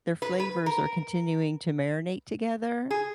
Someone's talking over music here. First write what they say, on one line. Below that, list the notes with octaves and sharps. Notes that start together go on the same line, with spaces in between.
their flavors are continuing to marinate together,
B4
B4
A#4
G#4